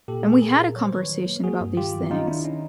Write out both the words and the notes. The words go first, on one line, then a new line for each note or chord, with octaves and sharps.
And we had a conversation about these things,
A#2 G4 A4
B3 G#4
A4
A#2 G#4 A#4
A#2
F#3 C#5
C5
D#3 B4 C#5
F#3
A#3
A#3 F#4 G#4
G2
D#3 F4 G4
F#3
D#3 D#4 F4
D#3 D4 E4
D#3 C#4 D#4